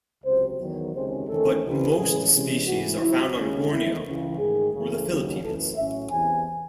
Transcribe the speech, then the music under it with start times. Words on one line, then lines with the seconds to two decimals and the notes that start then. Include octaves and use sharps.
But most species are found on Borneo or the Philippines.
0.25 C#2 C3 F#3 C5
0.59 E2 D#3 F#3
0.93 C#2 C3 D#3 G#3 C#4 C5
1.28 E2 D#3 A3 C#4 A4
1.63 C2 C3 E3
1.97 A2 E3 G#3 C#4 G#4
2.31 C3 E3 G#3 C#4
2.66 G#2 E3 A3 F#4
3.00 C#2 C3 F#3 C4 E4
3.36 D#2 C#3 G#3 C#4
3.69 E2 D#3 A3 E4
4.04 C#2 C#3 E3
4.38 G#2 D#3 A3 G#4
4.73 F#2 C#3 E3 A3
5.08 D#2 C#3 F#3
5.42 F#2 E3 A3 C#4 A4
5.76 A2 F#3 C#4 E5
6.11 E2 C3 E3 G#5